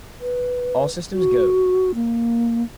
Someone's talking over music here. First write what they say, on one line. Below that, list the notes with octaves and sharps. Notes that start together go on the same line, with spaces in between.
All Systems Go!
B4
F#4
A#3